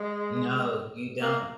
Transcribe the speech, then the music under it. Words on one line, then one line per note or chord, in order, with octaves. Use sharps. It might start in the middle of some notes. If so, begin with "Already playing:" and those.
No, you don't.
Already playing: G#3
A#3